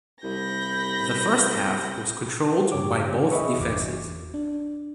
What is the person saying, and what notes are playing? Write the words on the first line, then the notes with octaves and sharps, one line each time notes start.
The first half was controlled by both defenses.
C2 B5 G6 A#6
G2 C#3 G4 C#5 D6
G#4 D#5 E5 B5 C#6
G1 E2 D6
D4